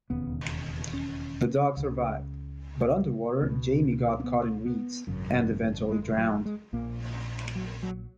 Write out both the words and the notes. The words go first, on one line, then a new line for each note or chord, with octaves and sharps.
The dog survived, but underwater Jamie got caught in reeds and eventually drowned.
E1 D#2 C#3 B3
C#4
C#2 C#3
C#2 B2 B3
C#4
B3
B3
G#1 F#2 C#3
G#3
F#3
G#3
A#1 A#2 A#3
F#3
F#3